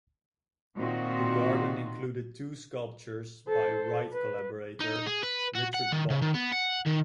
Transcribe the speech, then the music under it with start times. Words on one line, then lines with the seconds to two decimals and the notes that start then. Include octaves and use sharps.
The garden included two sculptures by Wright collaborator Richard Bock.
0.77 A#2 D#3 C4 D#4 F4 F#4
3.49 A4 C5
4.13 B4
4.80 D#4
5.06 G#4
5.23 B4
5.55 F#4
5.74 F#5
5.92 D#3
6.10 C#3
6.22 D#3
6.34 B3
6.52 F#5
6.86 D#3